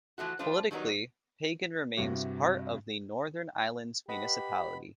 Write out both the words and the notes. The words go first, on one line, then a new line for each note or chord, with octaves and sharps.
Politically, Pagan remains part of the Northern Islands Municipality.
E3 F3 A3 F#4
F3 G3 A3 D4 F4 C5
D#3 F#3 G3 B3 D#4
G2 C3 E4 F#4
G4 B4 D#5 F#5 B5